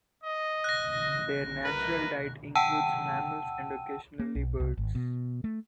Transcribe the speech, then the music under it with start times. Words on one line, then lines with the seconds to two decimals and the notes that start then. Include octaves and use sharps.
Their natural diet includes mammals and occasionally birds.
0.24 D#5
0.64 F#6 A#6
1.63 A#4 B4
2.55 F#5 G5 A5 E6 D#7
4.19 A#3
4.35 B1
4.60 C2
4.77 G#1
4.95 B2
5.44 A3